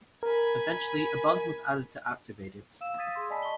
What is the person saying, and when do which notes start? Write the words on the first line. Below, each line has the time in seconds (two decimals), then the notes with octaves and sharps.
Eventually, a button was added to activate it.
0.23 A#4 G#5 B5
2.81 F5 E6 E7
2.97 F5 D#6 G#6 A6 B6 D#7
3.14 G#4 C6 E6
3.30 D5 D#5 G#5 A5 B5 B6
3.42 D#5 C#6 G7